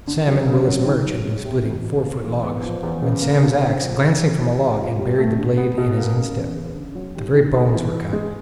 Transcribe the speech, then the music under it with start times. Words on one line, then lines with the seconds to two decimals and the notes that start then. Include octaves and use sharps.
Sam and Willis Murch had been splitting four-foot logs, when Sam's axe, glancing from a log, had buried the blade in his instep; the very bones were cut.
0.07 D3
0.27 F#3
0.47 C#3
0.66 F#3
0.86 D#3
1.06 F#3
1.25 G#3
1.45 C3
1.65 E2
1.84 B2
2.04 A#3
2.23 E3
2.43 B3
2.63 F3
2.83 E2
3.02 C#3
3.22 A#3
3.42 D3
3.61 C4
3.81 F3
4.01 D4
4.20 E3
4.40 E4
4.59 G3
4.79 F4
4.99 G3
5.18 A3
5.38 D3
5.57 B3
5.78 B2
5.97 A#3
6.16 C#3
6.36 E2
6.56 C#3
6.75 D3
6.95 F#3
7.15 D#2
7.35 D#3
7.54 B3
7.74 E3
7.94 E4
8.13 G#3